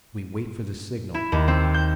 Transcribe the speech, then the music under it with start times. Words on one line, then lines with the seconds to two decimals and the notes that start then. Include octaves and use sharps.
"We wait for the signal."
1.14 E4
1.32 D#2
1.48 C4
1.74 G6